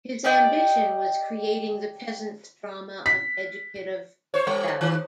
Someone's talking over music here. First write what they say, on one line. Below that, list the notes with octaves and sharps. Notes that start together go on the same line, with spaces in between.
His ambition was creating the peasants' drama of educative value.
G4 D5 D#5 G5
B6
C5 C#5
G3
D#3